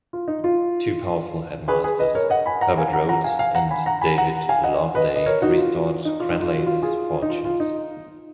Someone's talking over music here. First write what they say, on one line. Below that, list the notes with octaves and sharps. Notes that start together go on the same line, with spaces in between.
Two powerful headmasters - Herbert Rhodes and David Loveday restored Cranleigh's fortunes.
F4
D#4
F4
G#4 B4
G#4 B4
B4 D#5
A#4 C#5
D#5 F#5
G#5 B5
F#5 A#5
F5 G#5
F#5 A#5
F#5 A#5
F5 G#5
F5 G#5
F#5 A#5
G#5 B5
F#5 A#5
G#5 B5
F#5 A#5
F5 G#5
D#5 F#5
B4 D#5
D#5
A#4 C#5
D#4 F#4
F4
D#4
F4
D#4
F4
F#4
F4
F4 G#4
D#4
F4
F4
D#4